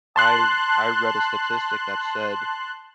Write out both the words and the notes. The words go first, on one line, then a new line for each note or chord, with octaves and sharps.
I re I read a statistic that said
A5 C6 F#6